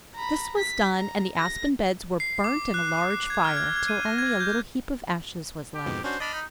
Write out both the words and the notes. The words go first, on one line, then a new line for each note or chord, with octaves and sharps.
This was done and the aspen beds were burnt in a large fire, till only a little heap of ashes was left.
A#5 B5
B6
A#5
A#6
C7
D6
F#6
C7
G#6
F6
G#6
G#6
D#7
A#6
G#6
G6
G4
F2 G#2 B2
C#4 D4 F#4 C5
D4 D#5 B5 F6
D#4